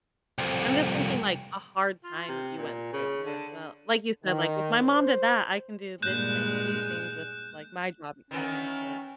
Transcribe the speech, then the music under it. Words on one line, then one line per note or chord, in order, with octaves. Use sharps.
I'm just thinking, like, a hard time you went through, and you're like, "Well" like you said, like, "If my mom did that, I can do this thing these things with, like, my job experiences."
C2 F2
F4
C3
A#2
C#3
D3
D#3
C5
G2 A#2 G#3 F#6 G6 E7
D#3 E3 B3 C#4